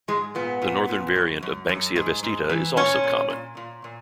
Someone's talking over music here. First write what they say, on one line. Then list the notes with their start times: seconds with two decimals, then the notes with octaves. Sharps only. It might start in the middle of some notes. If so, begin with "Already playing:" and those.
The northern variant of "Banksia vestita" is also common.
0.08 G#2 G#3
0.35 A#2 B3
0.62 A#2
0.88 A#2
1.16 F#2
1.43 F#2
1.69 F#2
1.96 G#2
2.23 G#2
2.49 E3
2.76 A#2 C#4
3.04 A#2
3.30 A#2
3.57 A#2
3.84 A#2